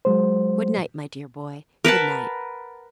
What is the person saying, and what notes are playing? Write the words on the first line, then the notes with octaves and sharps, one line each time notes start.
Good-night, my dear boy, good-night.
F#3 G#3 C5
A#4 B4 F#5 A5